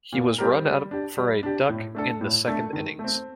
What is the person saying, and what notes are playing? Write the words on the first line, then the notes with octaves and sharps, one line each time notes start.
He was run out for a duck in the second innings.
A#2
G3 C4 G4 A#4
G3
D4 G4
G3
D4 G4
A2
A3 D4 A4 D5
A2
A3 D4 A4 D5
D#3
A3
C4